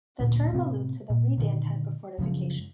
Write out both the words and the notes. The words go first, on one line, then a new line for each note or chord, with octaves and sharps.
The term alludes to the "Redan" type of fortification.
D2 A#2
A2 C3 A#3 B3
A#2
A#2 D3 D#3
F#2 C#3 F3 G#3